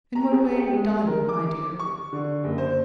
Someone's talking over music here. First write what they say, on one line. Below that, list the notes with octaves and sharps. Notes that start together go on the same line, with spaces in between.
"In what way 'done,' my dear?"
A#5
G#4
G4
G#3
A#4
D6
C#6
D3
F#1
C5